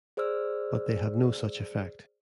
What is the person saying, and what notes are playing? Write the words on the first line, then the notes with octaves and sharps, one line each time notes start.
But they have no such effect.
G#4 C5 D5 E6 F6